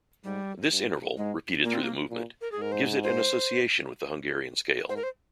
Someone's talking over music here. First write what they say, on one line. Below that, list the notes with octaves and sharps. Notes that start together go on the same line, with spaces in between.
This interval, repeated through the movement, gives it an association with the Hungarian scale.
G#2 G3
G2
G#2 G#3
A#2 A#3
C4
A#3
A#2
A#4
G#4
G#2 A#4
C5
C5
G#2 C5
A#4
C5